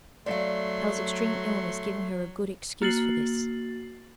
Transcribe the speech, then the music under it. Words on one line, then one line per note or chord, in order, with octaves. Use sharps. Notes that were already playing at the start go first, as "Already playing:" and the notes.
Hale's extreme illness giving her a good excuse for this.
F#3 A3 D5 F5 C6
A#3 F#4 A6 C7 F#7